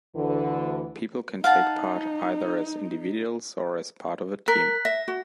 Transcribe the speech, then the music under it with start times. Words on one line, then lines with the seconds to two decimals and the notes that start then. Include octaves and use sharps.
People can take part either as individuals or as part of a team.
0.16 D2 D3 E3
1.44 D#4 F5 F#5 A5
4.48 A#4 F#6 B6
4.85 E5 A#6
5.08 F#4